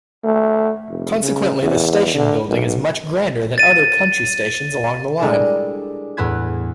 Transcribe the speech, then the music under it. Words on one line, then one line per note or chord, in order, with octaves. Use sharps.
Consequently, the station building is much grander than other country stations along the line.
A3
F1
C#3
E2
D3
B1
A6 D#7
G3 G#3 D4 E4 A4 A#4
E2 A2 B3 E4 B5 G#6